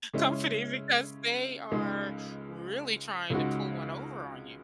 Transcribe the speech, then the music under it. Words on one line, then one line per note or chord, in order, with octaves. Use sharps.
company because they are really trying to pull one over on you.
C#3 G#3 C#4 E4
C#2 C#3 G#3 D#4
C#2 C#3 G#3 D#4 F#4